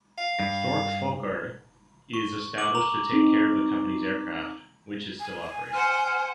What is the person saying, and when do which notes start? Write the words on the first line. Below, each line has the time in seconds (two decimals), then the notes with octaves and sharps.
Stork Fokker is established to take care of the company's aircraft, which is still operating.
0.18 F5
0.39 G2
2.13 C#6
2.58 D6 F#7
2.75 A#5 F7
3.12 C4 D#4
5.20 G#5
5.73 C5 F#5 F6